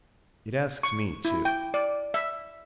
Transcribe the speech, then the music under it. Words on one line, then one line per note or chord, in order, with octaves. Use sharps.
It asks me too.
C#6
E4
G5
D5
E5